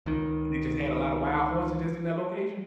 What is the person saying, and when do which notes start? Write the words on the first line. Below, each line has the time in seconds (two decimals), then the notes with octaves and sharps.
What they just had a lot of wild horses, just in that location?
0.06 C#2 D#3